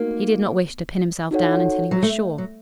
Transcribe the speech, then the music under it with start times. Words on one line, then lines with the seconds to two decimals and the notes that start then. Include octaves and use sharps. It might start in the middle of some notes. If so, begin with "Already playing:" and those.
He did not wish to pin himself down until he was sure.
Already playing: A3 A#3 D#4 F#4
1.31 D#4 F#4 A4 C#5 F#5
1.91 F#3
2.03 A3
2.38 F#3